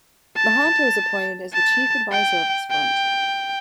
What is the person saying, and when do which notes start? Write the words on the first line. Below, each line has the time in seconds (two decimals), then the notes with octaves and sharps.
Mahanta was appointed as the chief adviser of this front.
0.36 A5
1.53 A5
2.11 G5
2.71 G5